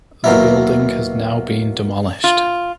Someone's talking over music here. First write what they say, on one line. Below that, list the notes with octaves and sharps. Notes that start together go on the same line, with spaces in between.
The building has now been demolished.
D#2 B2 F#3 E4
F4